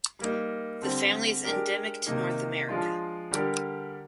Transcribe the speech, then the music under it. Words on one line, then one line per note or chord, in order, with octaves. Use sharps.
The family is endemic to North America.
G3 A#3 D#4
D3 G3 C4
G#3 D4 G4 A#4
C3 D#3 A#3 D#4
F3 G#3 D4 F4
D3 G3 D4 G4 A#4